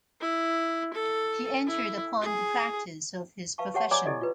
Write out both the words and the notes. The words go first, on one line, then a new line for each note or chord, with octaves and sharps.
He entered upon the practice of his profession.
E4
A4
E4
G#4
B4 F5 A5 C#6
G4 G#4 C#5 F#5 A5 C6
C#5 D5 G#5 A#5 C6 D6
E4 G4 A4 D5 D#5
F4 B4